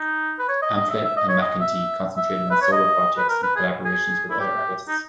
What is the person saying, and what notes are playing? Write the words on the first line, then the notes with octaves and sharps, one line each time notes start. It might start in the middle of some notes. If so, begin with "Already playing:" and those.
Amphlett and McEntee concentrated on solo projects and collaborations with other artists.
Already playing: D#4
B4
C#5
D#5
D#5
E5
E5
D#5
C#5
D#5
E5
E5
B4
C#5
D#5
B4
A#4
B4
G#4
G#4
E4
G4
D#4